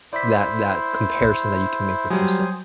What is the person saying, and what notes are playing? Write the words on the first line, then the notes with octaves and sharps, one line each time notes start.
that that comparison that you can make with yourself
E4 C5 D5 B6
F#3 G3 C5 G#5 D#6